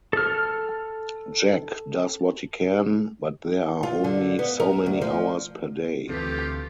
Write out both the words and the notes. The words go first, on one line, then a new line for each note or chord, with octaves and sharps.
Jack does what he can, but there are only so many hours per day.
A4 F6
F4
D3
B3
A#4
D2
F3
D2 E3 A3 C4 F4 G4 A4 B4